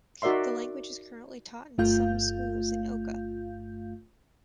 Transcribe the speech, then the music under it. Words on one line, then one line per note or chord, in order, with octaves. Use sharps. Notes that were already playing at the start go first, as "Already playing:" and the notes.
The language is currently taught in some schools in Oka.
D#4 F#4 A#4 D5 E5 C6
G1 G2 A3 F4 F5 G6